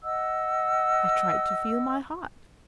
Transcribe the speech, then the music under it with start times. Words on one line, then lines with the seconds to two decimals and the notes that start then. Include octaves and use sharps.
I tried to feel my heart.
0.03 D#5 F#5 E6